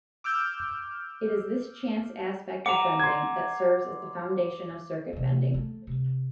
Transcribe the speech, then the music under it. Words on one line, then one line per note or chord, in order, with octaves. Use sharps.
It is this chance aspect of bending that serves as the foundation of circuit-bending.
D6 E6 F6 G6
F#5 A#5 D6
C6 G#6
C3 E3
A3
C3